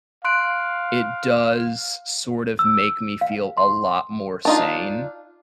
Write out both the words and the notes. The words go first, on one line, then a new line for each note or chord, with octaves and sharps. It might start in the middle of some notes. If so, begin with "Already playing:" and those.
it does, sort of, make me feel a lot more sane
F5 C6 F#6 D7
E6
F5
C6
D4 D#4 F4